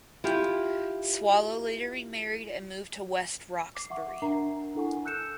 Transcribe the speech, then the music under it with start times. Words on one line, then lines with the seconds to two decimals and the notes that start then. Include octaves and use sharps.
Swallow later remarried and moved to West Roxbury.
0.24 E4 F4 G4
3.75 D6 C7
3.90 E5 F#5 C#6 D6
4.22 D4 A#4 E5 F#5 A#5 C7
4.75 D4 E4 A4 F#5 G#5 C#6
5.05 A5 E6 F#6 G6 C#7 E7